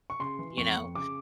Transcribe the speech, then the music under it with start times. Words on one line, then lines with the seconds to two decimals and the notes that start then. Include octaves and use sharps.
you know?
0.10 C#6
0.20 C#3 C6
0.39 E3
0.57 F2 C#6
0.77 F2
0.95 C#3 D6